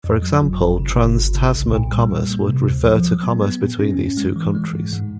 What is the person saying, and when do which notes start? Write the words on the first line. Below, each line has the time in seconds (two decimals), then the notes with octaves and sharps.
For example, Trans-Tasman commerce would refer to commerce between these two countries.
0.04 F2
0.22 F#3
0.42 G1
0.60 G1
0.80 C#3
0.98 G1
1.17 G1
1.35 C#3
1.55 B1
1.73 A#2
1.92 G3
2.11 A#2
2.30 A#3
2.48 C3
2.68 D2
2.86 F3
3.05 F#3
3.23 B3
3.42 B3
3.61 A#2
3.79 C#4
3.98 G#2
4.17 G#3
4.36 E3
4.55 G#3
4.74 G#2
4.93 G#2